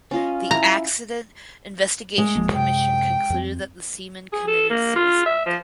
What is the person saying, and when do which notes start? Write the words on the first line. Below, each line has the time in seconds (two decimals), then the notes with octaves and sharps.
The Accident Investigation Commission concluded that the seaman committed suicide.
0.11 C#4 F4 D#5
0.51 E4 A#5
2.18 G#3
2.36 D1 F3 A#3
2.53 F#2 C3 G5
3.30 F2 C4
4.32 G#4
4.47 A4
4.70 A#3
4.96 F4
5.26 E5
5.46 F3